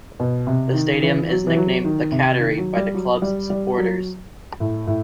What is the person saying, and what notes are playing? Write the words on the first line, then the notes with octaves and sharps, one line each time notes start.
The stadium is nicknamed "The Cattery" by the club's supporters.
B2
C3
D#3
E3
F#3
E3
F#3
D#3
C3
D#3
F#3
G3
F#3
G3
G3
F#3
A2
A2